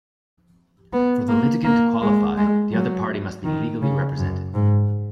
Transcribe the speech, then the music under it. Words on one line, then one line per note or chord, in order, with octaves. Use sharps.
For the litigant to qualify, the other party must be legally represented.
B3
A#3
A#3
G#3
G#3
F#3
D#3
C#3
F#2
G#2